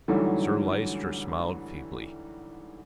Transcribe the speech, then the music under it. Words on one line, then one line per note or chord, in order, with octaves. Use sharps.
Sir Lyster smiled feebly.
G#2 D3 E3 F#3 G3 A3